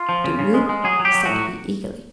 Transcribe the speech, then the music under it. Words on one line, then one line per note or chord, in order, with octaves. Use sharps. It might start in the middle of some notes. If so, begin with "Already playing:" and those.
"Do you?" said he eagerly.
Already playing: F4
F3
C#3
C#3
G#3
G#3
F#3 G#4
F#3
G4
F#3
A2 F#4